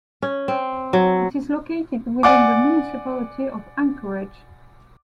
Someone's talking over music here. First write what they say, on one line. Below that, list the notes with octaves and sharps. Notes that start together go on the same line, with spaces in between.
It is located within the Municipality of Anchorage.
C#4
C4
F#3
D5 F#5 G#5 D6